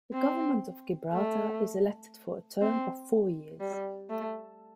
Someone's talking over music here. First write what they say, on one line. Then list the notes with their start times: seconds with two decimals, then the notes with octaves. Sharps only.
The Government of Gibraltar is elected for a term of four years.
0.13 C4
1.13 A3
2.62 C4
3.60 G3
4.10 A3